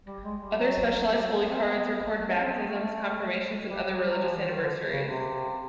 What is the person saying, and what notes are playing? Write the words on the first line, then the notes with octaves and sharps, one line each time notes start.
Other specialized holy cards record baptisms, confirmations, and other religious anniversaries.
G3
G#3
G3
F#3
G3
F#3
A#3
B3
C4
B3
A3
C#4
C4
B3
A3
G3
G3
G3
F#3
F3
E3
D#3
D3
C#3
C3